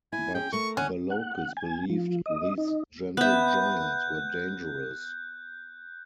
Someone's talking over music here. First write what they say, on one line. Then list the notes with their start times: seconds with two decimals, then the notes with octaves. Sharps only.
But the locals believed these gentle giants were dangerous.
0.12 E4 G#5
0.35 C#4 G#4 G5
0.52 A3 A#4 C#6
0.77 D3 C#4 F#5
1.10 F#5
1.57 G#5
1.90 F3
2.26 D#5
2.58 D#4
3.17 B3 E5 F#6 G6